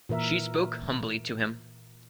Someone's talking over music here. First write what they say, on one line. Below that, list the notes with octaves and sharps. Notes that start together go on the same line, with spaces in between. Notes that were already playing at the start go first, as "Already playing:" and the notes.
She spoke humbly to him.
A#2 E3 A#4 E5